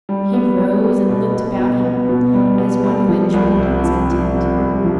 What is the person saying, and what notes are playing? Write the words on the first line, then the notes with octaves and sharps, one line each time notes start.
He rose and looked about him, as one who had dreamed and was content.
G3
B3
G3
G3
B2
B2
B2
B3
B2
G3
B3
G3
F3
C2
C3
F3
F3
C3
C2
F3